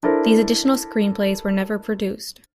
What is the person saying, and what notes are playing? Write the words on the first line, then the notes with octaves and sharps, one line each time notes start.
These additional screenplays were never produced.
D4 E4 A4 A#4 C5